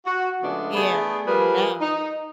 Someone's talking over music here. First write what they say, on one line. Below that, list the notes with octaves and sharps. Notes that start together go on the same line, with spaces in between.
and now,
F#4
C#3 F3 G#3 A3 B3 D4
A3 B3 D4 G#4
F3 G3 G#4 A#4 B4
D#4